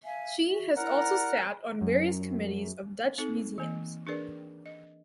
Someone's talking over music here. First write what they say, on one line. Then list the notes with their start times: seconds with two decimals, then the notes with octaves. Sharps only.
She has also sat on various committees of Dutch museums.
0.04 E5 F5 G#5
0.48 F#4 E5
0.77 E4 A#4 D5 F#5 A#5
1.81 F#2
3.18 C4 D#4 A4
3.58 E3 A#3 D#5
4.07 D4 G#4 A#4 B4 D5
4.66 D#5